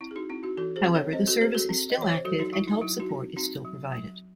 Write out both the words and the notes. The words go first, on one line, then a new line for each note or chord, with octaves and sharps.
However the service is still active and help support is still provided.
C4 E4
G#4
D#4 F#4
C4 E4
D#4 F#4
E3 F#4 A4
G#4 C5
C4
A4 C#5
C4 C5 D#5
F#4 A4
C4 G#4 C5
F#4 A4
C4
D#5
E3 C#5
C5
F#3 F#4 A4
D#4 F#4
F#3 E4
D#4
F#3 E4
D#4 F#4
C4
C4 D#4 F#4
F#3
F#3